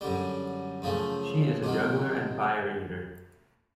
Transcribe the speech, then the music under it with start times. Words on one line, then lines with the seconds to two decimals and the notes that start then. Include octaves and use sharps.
She is a juggler and fire eater.
0.01 F#2 D3 G3
0.82 F#2 C#3 F3 A3
1.63 C3 D#3 F#3